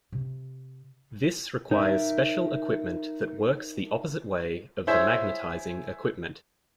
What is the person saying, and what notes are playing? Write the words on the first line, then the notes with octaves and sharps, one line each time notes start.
This requires special equipment that works the opposite way of the magnetizing equipment.
C3 F4
D#4 A#4 E5
E4 G#4 C5 C#5 E5